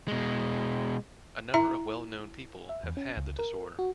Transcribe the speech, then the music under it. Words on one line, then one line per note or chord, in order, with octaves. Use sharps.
A number of well-known people have had the disorder.
B2 G#3
E4 E5 A#5
E5
E2
C#4
C#2
A#4
F#4